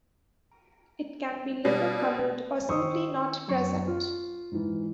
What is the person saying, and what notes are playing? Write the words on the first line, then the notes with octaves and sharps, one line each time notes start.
It can be liver colored or simply not present.
B2 G3 D5
D#3 C5 C#6 D#6 E6
F#2 C#6
F4
G#2 E3